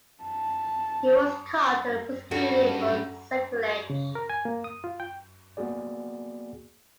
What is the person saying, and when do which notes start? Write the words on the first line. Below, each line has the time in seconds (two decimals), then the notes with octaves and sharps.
He was caught and prosecuted for sacrilege.
0.23 A5
2.31 G2 G3 C#4 F#4 A4
3.90 C#3
4.15 A#4
4.30 G#5
4.45 A#3
4.64 D#6
4.84 F4
5.00 G5
5.57 A#3 B3 F#4 G#4 D5